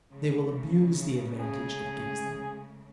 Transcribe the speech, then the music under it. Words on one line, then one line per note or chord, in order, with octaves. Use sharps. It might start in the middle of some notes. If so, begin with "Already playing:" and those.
They will abuse the advantage it gives them.
C#3 G#3 A3
G#4